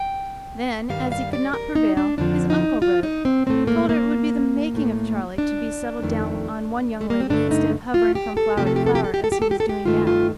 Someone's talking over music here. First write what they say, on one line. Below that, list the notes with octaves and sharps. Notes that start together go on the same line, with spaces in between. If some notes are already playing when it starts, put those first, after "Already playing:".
Then, as he could not prevail, his uncle wrote, told her it would be the making of Charley to be settled down on one young lady instead of hovering from flower to flower, as he was doing now.
Already playing: G5
G2 D#3 G3 F5
F5
D5
A#4
D#4
D4
F2 D3 F3 D4
D#4
F4
D#4
C4
A2 A3 C4
A#3
A#3
A2 A3
D4
F2 D#3 A3
A3
A#3
C4
G2 D3 A3 D4
D#4
F4
G4
A4
C3 F3 A3 G4
A4
G4
A4
G4
A4
G4
A4
G4
A4
G4
A4
G4
G2 D#3 A3 F4
F4